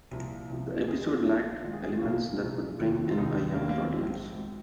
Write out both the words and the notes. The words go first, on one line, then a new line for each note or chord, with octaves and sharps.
The episode lacked elements that would bring in a younger audience.
C2 A#2 F3
C2 C3 F3
D#2 D#3 G#4
G#4
F4
A#1 A#2 F3 F4
A#1 G#2 D#3 F4
G#4
G#4
F4
C2 A#2 F3 A#3
C2 A#2 F3
F1 D#2 D#3
F4
F1 D#2 D#3 D#4
D#2 D#3 A#3
A#3
C4
A#1 G#2 F3 C4
G#1 G#2 D#3